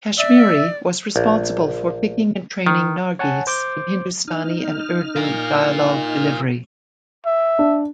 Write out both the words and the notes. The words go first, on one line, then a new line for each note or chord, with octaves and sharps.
Kashmiri was responsible for picking and training Nargis in Hindustani and Urdu dialogue delivery.
D5 E5
A#1
D#3
C#5 F#5 G#5 A5
C5 D6 G6
D#4 F6
F4 A#4
E5
D4